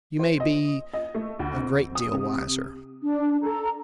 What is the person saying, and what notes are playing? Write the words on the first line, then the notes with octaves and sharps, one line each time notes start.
"You may be--a great deal wiser."
C5
D#5
D#5
A3
D2
C4
D#6
C3
D4
A4 A#5